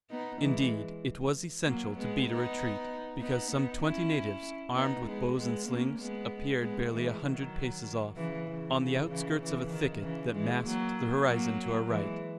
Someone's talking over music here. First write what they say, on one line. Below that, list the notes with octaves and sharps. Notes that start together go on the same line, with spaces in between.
Indeed, it was essential to beat a retreat because some twenty natives, armed with bows and slings, appeared barely a hundred paces off, on the outskirts of a thicket that masked the horizon to our right.
B3 D#4
E3 G#3
F#3 A#3
G#3 B3
B3 D#4
B3 D#4
B3 D#4
C#4 E4
B3 D#4
G#3 B3
G#3 B3
A#3 C#4
G#3 B3
G#3 B3
E3 G#3
D#3 F#3
C#3 E3
C#3
C#3
C#3 E3
C#3 E3
D#3
C#3 E3
E3 G#3
F#3 A#3
F#3 A#3
E3 G#3